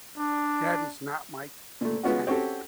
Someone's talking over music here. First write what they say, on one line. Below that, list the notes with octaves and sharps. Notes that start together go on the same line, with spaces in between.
That is not my intent.
D4
A#2 A3
G#3 B3 C#4 F4 F#4
C4 C#4 F#4 G4 A4